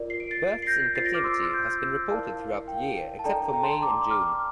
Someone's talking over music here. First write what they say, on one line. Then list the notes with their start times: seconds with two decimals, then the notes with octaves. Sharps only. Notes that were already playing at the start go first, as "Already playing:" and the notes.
Births in captivity have been reported throughout the year except for May and June.
Already playing: F4 A#4 D5
0.10 C7
0.20 D7
0.31 A6 C7
0.62 C7
0.67 G6 A#6
0.95 F4 A6 C7
0.99 C5
1.05 A#6 D7
1.14 D6 F6
1.24 C6 E6
1.53 G6
1.65 F6
1.78 E6 G6
2.10 E4 A#4 D5 F5 A5
2.39 F5
2.53 F5
2.68 G5
3.19 A5
3.24 D4 A4 D5 G5 A#5
3.53 G5 A#5
3.62 A5 C6
3.72 A5 C6
3.82 A#5 D6
4.10 D6 F6